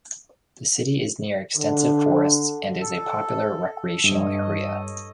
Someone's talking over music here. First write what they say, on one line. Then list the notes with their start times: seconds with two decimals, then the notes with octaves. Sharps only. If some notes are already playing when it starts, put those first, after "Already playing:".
The city is near extensive forests, and is a popular recreational area.
1.57 D3
2.81 A4
4.04 G2 A4 C#5 D#5